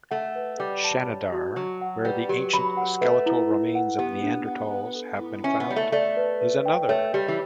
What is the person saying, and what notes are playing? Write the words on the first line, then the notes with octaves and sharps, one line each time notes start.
Shanidar, where the ancient skeletal remains of Neanderthals have been found, is another.
A3 F#5
B4
G3 D6
A5
C#5
F#4
F#3 C#6
F#5
G3 B4
F#3 G4
F#3 B5
F#5
A3 B4
E4
E4
F#5
B3 G4
D4
F#5
B4
A4
E4
C#4 E5
B3
G3 C#5
A3
A3 D5
B4
B4
G5
A3 C#5
G3 G4
E3